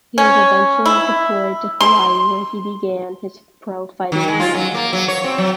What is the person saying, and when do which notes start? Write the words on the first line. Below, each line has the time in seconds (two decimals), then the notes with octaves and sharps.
He was eventually deployed to Hawaii where he began his pro fighting career.
0.18 C#4
0.86 E4
1.81 C6
4.12 D#3
4.28 G#3
4.40 F4
4.55 F#3
4.74 A#3
4.93 F#3
5.08 C#5
5.24 C4
5.38 F#3